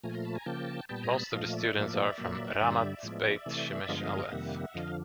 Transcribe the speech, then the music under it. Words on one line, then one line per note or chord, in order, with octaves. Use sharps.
Most of the students are from Ramat Beit Shemesh Alef.
A#2 F3 A3 G#5 A#5
A#5 C6
A5 B5
G#5 A#5
C#3 F3 A#3 G5 A5
A#2 G3 B3 G5 A5
G#5 A#5
A5 B5
A#2 F3 A3 D#5 F5
D5 E5
A2 F3 A#3
A#2 F#3 A#3
G2 D3 G3 D5 E5
A2 F3 G#3 B3
C3 E3 A3
G2 D3 F3 G#3 B3 D#5 F5
F2 C3 D#3 G3 A#3 E5 F#5
F2 D3 F3 D#5 F5